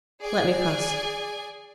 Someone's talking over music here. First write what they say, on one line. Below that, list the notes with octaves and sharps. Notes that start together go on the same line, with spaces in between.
Let me pass.
G#4 D5 G#5